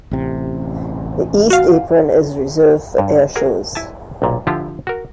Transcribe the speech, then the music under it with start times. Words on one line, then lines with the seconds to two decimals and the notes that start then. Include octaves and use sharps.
The east apron is reserved for air shows.
0.11 A1 C3
1.50 F#4 F5
2.98 G2
3.36 F#4 G#4 A#4
3.75 E4 G#5 A5
4.22 B1 A#2
4.47 D3 F3 E4 F4 G4
4.87 F#4 A#4